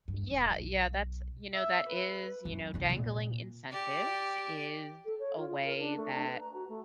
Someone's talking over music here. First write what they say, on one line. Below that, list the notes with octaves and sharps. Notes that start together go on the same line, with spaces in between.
Yeah. Yeah, that's you know, that is you know, dangling incentives is a way that
G2
E1
B1
E5
B4
F#2
C2 D#3
A#2
G4 D5
A4
C#5
F4
G#4
A#4
D4
A3
D4
B4
A#5
F#4
A3